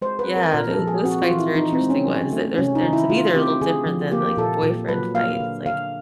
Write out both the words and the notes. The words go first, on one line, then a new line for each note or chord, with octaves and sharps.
Yeah, tho those fights are interesting ones, th there's, they're to me, they're a little different than, like, the boyfriend fight, it's like
G#3 C5
B4
C4
A#4
A#2 A#4
A4
F3
G#4
C4 F#4
F4
E3
E4
E3 D#4
C4
G#3
C#4
F#3
A3
C3 C#4
D#4
D#3
E4
A3 F4
C4 G4
D3 G#4
F3
A#3 G4
A#2 A4
A#2
F#3 B4
A#3 F5
D3
D3 F5